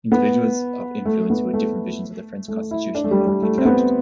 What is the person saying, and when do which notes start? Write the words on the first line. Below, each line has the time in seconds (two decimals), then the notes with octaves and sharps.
Individuals of influence who had different visions of the French constitutional monarchy clashed.
0.12 B3
1.05 A3
1.30 B3
1.53 A3
2.48 A3
2.71 E4
2.95 D4
3.04 A3
3.11 G3
3.27 G3
3.42 A3
3.58 C4
3.65 B3